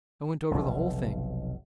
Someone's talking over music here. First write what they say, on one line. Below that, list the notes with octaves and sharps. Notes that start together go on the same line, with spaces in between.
I went over the whole thing.
F1 B1